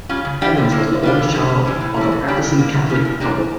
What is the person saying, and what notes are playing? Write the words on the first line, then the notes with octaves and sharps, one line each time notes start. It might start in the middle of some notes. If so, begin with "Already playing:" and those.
Evans was the oldest child of a practicing Catholic couple.
G3 C#4 F4
C#3
G3 D4 G4
D3
F3 A#3 E4
D3
G3 D4 F4
E2
D3 G3 C#4
C#3
E3 G3 C#4
A2
E3 G3
A#2
G3 D4 G4
A#2
G3 A#3
E2
C#3 F3
A#2
F3 A#3 D4 G4